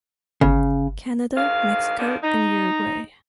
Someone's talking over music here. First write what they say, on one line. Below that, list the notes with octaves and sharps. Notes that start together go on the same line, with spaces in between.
Canada, Mexico and Uruguay.
G1 C#3
D2 D#3 G#3 F5
D3 D#3 G3 A#3 B3
D#4